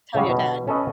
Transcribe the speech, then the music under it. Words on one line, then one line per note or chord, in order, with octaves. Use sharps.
Tell your dad.
C#3 F#3 G3
B2
C#4 A4 B4 D#5